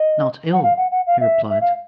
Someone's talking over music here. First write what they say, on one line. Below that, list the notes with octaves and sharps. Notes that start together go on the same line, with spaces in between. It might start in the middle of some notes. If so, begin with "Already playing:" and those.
"Not ill," he replied.
Already playing: D#5
F#5
F5
F#5
F#5
F5
E5
E5
F5